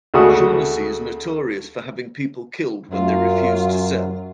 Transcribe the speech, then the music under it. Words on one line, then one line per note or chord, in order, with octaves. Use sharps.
Shaughnessy is notorious for having people killed when they refuse to sell.
D2 C#3 G#3 A3 F#4 D#6
F#2 F4